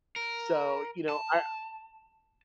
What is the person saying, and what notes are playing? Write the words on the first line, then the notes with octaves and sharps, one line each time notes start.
So, you know, I
A#4
A5